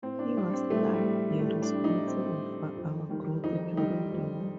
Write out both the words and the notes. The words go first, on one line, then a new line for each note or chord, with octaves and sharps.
He was largely responsible for our growth during the war.
A2 C4
D4
G3 D4
C4
A2 A3
G3
G3
A2 A3
D4
G3
D#4
A2 C4
G3
F2
D#3 G3
F2 D#4
D#3 G3 D#4
F2